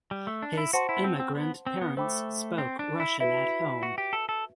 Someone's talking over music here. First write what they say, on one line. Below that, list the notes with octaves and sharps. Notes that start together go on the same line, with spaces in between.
His immigrant parents spoke Russian at home.
G3
A3
D4
E4
F#4 C5 F#5 A5 C6
E4
B3
C4
C4
B3
C4
B3
A3 C5 G5 B5 D6
C4
D4
E4
E4 F#4 B4 E5
F#4
G4
A4
A4